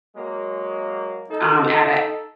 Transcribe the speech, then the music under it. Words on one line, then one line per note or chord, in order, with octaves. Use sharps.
um, at at
F#3 G#3 A#3
D#4 A4